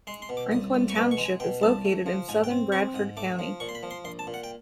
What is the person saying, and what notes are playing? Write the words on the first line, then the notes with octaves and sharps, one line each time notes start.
Franklin Township is located in southern Bradford County.
G#3 C6
C6
B2
D6
C2 D#6
C2
C#6
B2 D6
C#6
G#3
G#5
B2 G5
C2 A5
A3
F3
G#2 G#5
G5
C4
C4 C#6
G#2 D#6
A3 D6
F3
A#2 C#6
C6
B5
F3
C6
A#1 C6
A5
A#2
F#5
G5